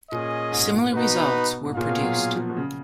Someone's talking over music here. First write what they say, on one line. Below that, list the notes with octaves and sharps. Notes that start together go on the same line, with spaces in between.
Similar results were produced.
A#2 C#4 G#4 D#5
G#2
A#2
B2 B3 D#4 F#4 B4
G#2
A#2 A#3 F4 G#4 C#5 F5
B2
F#3
F#3
F3
B2
C#3